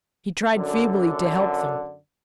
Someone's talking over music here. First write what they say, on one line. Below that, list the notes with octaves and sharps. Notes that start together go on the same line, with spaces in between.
He tried feebly to help them.
F#2 D3